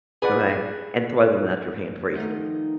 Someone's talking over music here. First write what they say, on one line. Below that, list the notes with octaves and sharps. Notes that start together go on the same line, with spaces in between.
Okay? And throw them without your hand freezing.
G#4 B4 D5 F#5
D#3 F3 G3 A3 B3 D#4